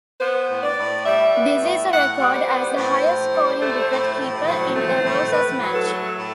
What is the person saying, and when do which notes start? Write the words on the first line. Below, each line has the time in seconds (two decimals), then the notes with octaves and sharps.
This is a record as the highest scoring wicket keeper in a Roses match.
0.21 B3 C5
0.49 A2
0.64 D5
0.78 A2
1.06 G3 E5
1.35 B3
1.49 E5
1.63 A2
1.91 A2 F#5
2.19 G3 F#5
2.34 C5
2.48 B3
2.76 A2 C5
3.05 A2
3.34 G3
3.62 A3
3.90 A2
4.19 A2
4.48 F#3 C5
4.76 A3
4.90 C5
5.05 A2
5.33 A2 B4
5.62 F#3
5.76 A4
5.90 A3
6.18 A2